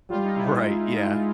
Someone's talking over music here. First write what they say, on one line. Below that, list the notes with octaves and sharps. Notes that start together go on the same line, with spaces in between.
Right, yeah,
G3 F4
D#4
E4
G#3